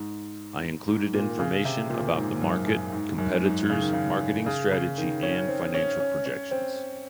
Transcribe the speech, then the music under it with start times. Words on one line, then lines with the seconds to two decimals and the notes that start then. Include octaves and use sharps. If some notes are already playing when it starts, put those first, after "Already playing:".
I included information about the market, competitors, marketing strategy, and financial projections.
Already playing: G#2
0.88 G#2
1.14 A#2
1.31 D#3
1.39 C#3
1.65 C3
1.90 A#2
2.16 G#2
2.42 F#2
2.67 F#2
2.92 G#2
3.18 F#2
3.43 G#2
3.70 C#3
3.81 D#3
3.93 C#3
4.46 C#3
4.71 C#3
4.97 D#3
5.23 C#4
5.48 C4
5.74 C#4
6.00 C#4
6.26 C#4
6.51 C4